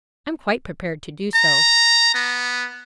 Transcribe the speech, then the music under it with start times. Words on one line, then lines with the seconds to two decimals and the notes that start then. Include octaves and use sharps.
I'm quite prepared to do so.
1.34 A#5
2.14 B3